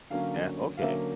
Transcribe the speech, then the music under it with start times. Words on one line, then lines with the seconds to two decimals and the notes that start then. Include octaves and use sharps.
Yeah? Okay.
0.10 D3 F#3 A#3 C#4 F5
0.77 F5
0.81 D3 F#3 A#3 C#4 E5